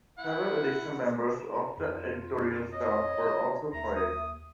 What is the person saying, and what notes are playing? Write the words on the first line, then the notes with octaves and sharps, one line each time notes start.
Several additional members of the editorial staff were also fired.
E4 F#5
F2 F4
C#5 D#5
D#2 E5 A#5
D#6